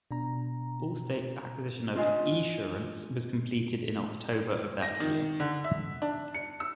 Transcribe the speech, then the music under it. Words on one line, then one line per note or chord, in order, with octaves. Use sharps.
Allstate's acquisition of Esurance was completed in October of that year.
B2 D4 A#5
D4 F4 D#5 G#5
A#6
D#3
D3
E5
D4
C#7
E6